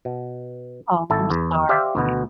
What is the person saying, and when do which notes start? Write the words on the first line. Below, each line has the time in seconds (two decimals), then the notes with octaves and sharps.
Oh, I'm sorry.
0.05 B2
1.10 G#1 E4 A4
1.30 E2
1.69 G4 C5 D5 E5 F5
1.95 D2 B2 B3